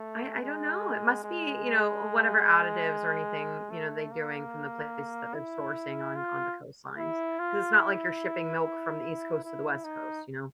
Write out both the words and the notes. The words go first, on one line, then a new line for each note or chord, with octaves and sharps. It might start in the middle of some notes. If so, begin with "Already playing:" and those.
I I don't know, it must be, you know, whatever additives or anything, you know, they doing from the place that they're sourcing on on the coastlines, 'cause it's not like you're shipping milk from the East Coast to the West Coast, you know.
Already playing: A3
G#3
G#3
A3
A#3
E4
F4
E4
F4
E4
E4
D#4